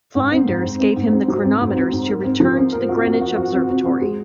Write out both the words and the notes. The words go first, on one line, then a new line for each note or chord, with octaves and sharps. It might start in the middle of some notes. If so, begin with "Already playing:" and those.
Flinders gave him the chronometers to return to the Greenwich Observatory.
G#2
C4
G#2
G#2
C4
G#2
C4
F#3
C4
G#2
C4
G#2
A#4
C4
F3
C4
A#4
F#4
F#4
F#4
F#4
C4
C4
C4
G#3